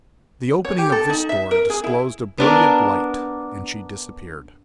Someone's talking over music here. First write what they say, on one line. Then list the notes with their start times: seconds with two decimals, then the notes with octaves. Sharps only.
The opening of this door disclosed a brilliant light, and she disappeared.
0.65 C#5
0.78 G4
0.92 A4
1.10 D#4
1.29 E5
1.51 A#4
1.70 G#4
1.84 E4
2.38 B3 D4 A#4